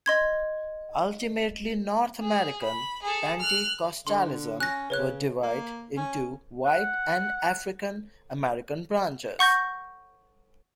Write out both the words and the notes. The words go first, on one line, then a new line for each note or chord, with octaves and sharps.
Ultimately, North American Pentecostalism would divide into white and African-American branches.
D#5 C6 G#6
G#4
B5
G#4 A4
F6 F#6
D3 C6
C#4 F#6 A#6
C#3 B4 C#5 F#6
A#3
C#4
F#5
F#5 C#6 G6 A#6